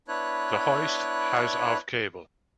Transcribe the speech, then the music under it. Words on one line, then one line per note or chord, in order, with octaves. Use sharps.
The hoist has of cable.
B3 D4 E4 B4 C#5 F#6